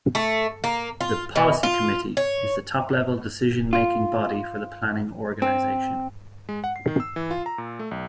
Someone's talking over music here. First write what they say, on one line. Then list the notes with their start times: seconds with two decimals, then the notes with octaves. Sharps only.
The "policy committee" is the top-level decision-making body for the planning organization.
0.15 A3
0.64 A#3
1.01 F4
1.36 B2
1.63 F4
2.17 C#5
3.73 F4
5.42 C4
6.49 G#3
6.64 F#5
6.76 C7
6.87 D#3
7.00 E6
7.16 E3
7.31 F4
7.46 A#5
7.58 A#2
7.79 A3
7.91 B1